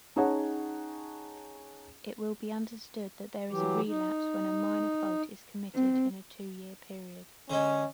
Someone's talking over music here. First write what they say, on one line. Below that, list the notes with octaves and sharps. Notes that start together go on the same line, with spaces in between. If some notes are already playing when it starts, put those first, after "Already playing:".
It will be understood that there is relapse when a minor fault is committed in a two-year period.
C#4 D#4 G#4 C#5 F#5 A5
E3 F#3 G4
D#4
C4
D3 G#3 C#4